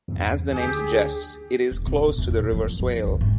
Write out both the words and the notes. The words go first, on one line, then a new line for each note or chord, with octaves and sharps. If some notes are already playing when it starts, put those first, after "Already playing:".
As the name suggests it is close to the River Swale.
E2 G2 C3
D2 G4 G#4
D#1
C3
A#2
E2
A#2
F3
F3
F#2
D#3
D2
G#2